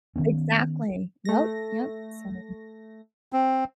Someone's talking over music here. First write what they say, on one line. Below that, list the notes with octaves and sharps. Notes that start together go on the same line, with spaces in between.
Exactly, yep, yep so
D#3 F#3 B3 C#4
A3 A#6
C4